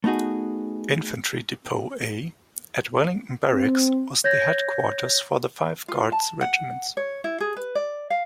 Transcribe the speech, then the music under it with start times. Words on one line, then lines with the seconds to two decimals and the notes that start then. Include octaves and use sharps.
Infantry Depot A at Wellington Barracks was the headquarters for the five guards regiments.
0.04 A3 B3 D#4 F#4 G#4
3.51 C4
4.24 C#5 G6 G#6 A#6
5.88 F4
6.12 A5
6.41 F#5
6.97 C#5
7.24 E4
7.40 G#4
7.57 B4
7.75 D5
8.10 F5